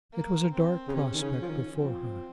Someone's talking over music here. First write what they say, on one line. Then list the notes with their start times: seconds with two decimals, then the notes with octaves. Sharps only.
It was a dark prospect before her.
0.12 A#3
0.52 C4
0.88 C#3
0.94 C3 C#4
1.14 D#3
1.22 C#3
1.41 F3
1.49 D#3
1.77 F3 C4